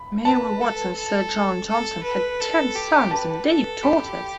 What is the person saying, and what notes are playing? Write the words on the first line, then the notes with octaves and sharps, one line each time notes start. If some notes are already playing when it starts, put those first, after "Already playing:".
Mary Watts and Sir John Johnson had ten sons and eight daughters.
Already playing: B5
B4 A5
A4
A4
A4
B4
A4
G4
B4 A5
A4
G4 B5